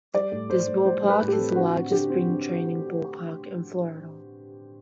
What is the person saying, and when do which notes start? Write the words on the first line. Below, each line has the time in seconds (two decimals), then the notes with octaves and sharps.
This ballpark is the largest spring training ballpark in Florida.
0.14 G3 D5
0.32 A2
0.50 A2 C5
0.67 A2
0.85 G3 C5
1.03 G3
1.09 B4
1.21 A2
1.28 G4
1.32 A4
1.38 C4
1.56 D3 F#4
1.74 C4
1.91 D3 G4
2.09 C4
2.27 D3